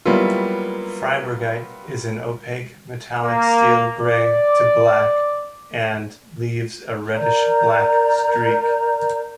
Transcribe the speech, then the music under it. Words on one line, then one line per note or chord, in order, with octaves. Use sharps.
Freibergite is an opaque, metallic steel grey to black and leaves a reddish-black streak.
F#3 G3 A#3 B3 E4 F4
A#3
D5
A#4 D5 A#5 G6